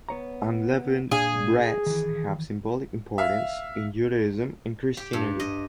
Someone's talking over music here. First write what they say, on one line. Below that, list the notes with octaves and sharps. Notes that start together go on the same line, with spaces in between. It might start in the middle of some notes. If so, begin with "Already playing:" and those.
Unleavened breads have symbolic importance in Judaism and Christianity.
B3 C#5 A#5
A#2 D4 G#4 F5
D#3 E3
E5 F5
G4
G2
D#5